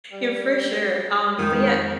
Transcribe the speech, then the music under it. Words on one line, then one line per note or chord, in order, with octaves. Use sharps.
Yeah, for sure, um, but, yeah,
G3
F2 D#3 G#3 G6